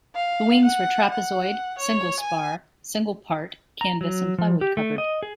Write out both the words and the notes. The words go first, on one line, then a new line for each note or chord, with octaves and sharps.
The wings were trapezoid, single-spar, single part, canvas and plywood covered.
F5
F#5
F#5
C#5
G#5
A#5
F#3
F3
G4
A3
D#5
G#4